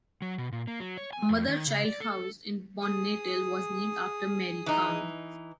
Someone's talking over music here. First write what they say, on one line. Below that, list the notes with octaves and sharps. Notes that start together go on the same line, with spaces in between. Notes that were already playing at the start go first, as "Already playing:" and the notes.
A mother-child house in Baunatal was named after Marie Calm.
F#3
B2
A#2
A#3
F#3
C#5
G#5
F2
D#3
C#3
D5
A4
G#4 D#6
E3 D#4